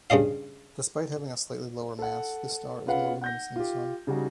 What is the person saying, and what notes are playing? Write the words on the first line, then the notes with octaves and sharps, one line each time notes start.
Despite having a slightly lower mass, this star is more luminous than the Sun.
G2 C#3 D4 D#5 F5
A4 F#5
C#4 F4 G#4 B4 F5 F#5
F#5 G6 A#6
F4 G4
C#3 G3 D#4 F#4